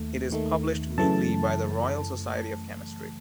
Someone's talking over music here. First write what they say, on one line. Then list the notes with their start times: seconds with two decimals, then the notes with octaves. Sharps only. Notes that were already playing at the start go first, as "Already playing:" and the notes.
It is published weekly by the Royal Society of Chemistry.
Already playing: D#2 D#3 A3
0.31 D#2 D#3 A3
0.98 F#2 C#3 E3 A3 A5